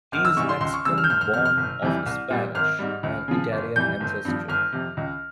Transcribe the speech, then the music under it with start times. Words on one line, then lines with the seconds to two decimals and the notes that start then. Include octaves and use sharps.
He is Mexican born of Spanish and Italian ancestry.
0.12 G#1 F6
0.25 E6
0.37 G#2 E3 G3 C#6
0.49 C6
0.61 C#2 C6
0.74 C#6
0.85 C#3 G3 E6
0.98 F6
1.04 G6
1.10 G1 F6
1.21 F6
1.33 C3 F6
1.38 F2
1.45 F6
1.58 G1
1.82 F2 C3 E3 G3
2.06 C2
2.30 A#2 G3
2.55 G#1 F6
2.79 G#2 G3
3.03 C#2
3.28 C#3 F3
3.52 G1
3.76 F2 E3 G3 G6
4.00 G1
4.25 G2 F3
4.48 G1 F6
4.73 F2 C3
4.97 C#2